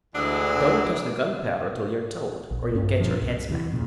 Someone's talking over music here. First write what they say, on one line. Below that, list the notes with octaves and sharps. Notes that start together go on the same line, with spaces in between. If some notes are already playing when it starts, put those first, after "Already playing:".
"Don't touch the gunpowder till you're told, or you'll get your head smacked."
D2 E3 G#3 D4 F#5 D#6 E6
A#1
G2 C#4
G2 A#2 F3
C2
E2 C3 D#3 E3
F2 A#2 C#3